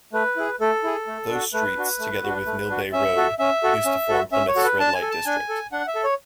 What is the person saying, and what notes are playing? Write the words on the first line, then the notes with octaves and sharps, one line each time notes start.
Those streets together with Millbay Road used to form Plymouth's red light district.
A3 B4
E4 G#4
A3 A4
E4 G#4
A3
D4 F#4
A3 B4
D4 F#4
A3
D4 F#4
A3
D4 F#4
C#4 E5
F#4 A4
C#4 E5
F#4 A4
C#4
F#4 A4
C#4 E5
C#5
F#4 A4
B4
D4 A5
G#5
A4
A5
D4 G#5
A4
D4 F#5
E5
A4
C#5